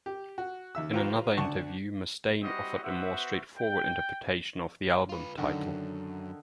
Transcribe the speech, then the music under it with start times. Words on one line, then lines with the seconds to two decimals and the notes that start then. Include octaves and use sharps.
In another interview, Mustaine offered a more straightforward interpretation of the album title.
0.06 G4
0.38 F#4
0.75 D#2 E5 E6
0.94 F3 F4 G4 B4 A#5
1.38 D2 D4 F#5 A5 C#6
2.42 G3 C4 E4 F#4 B4 D#5
2.83 B3 F#4 B4 C5 E5
3.57 G5
5.09 F4 B4
5.38 F#2 D3 D#3